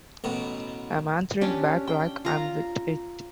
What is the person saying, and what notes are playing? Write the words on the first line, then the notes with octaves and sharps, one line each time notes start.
I'm answering back, like, 'I'm wit it'.
A1 B2
C#4 D4 G4
G5
F4 A#5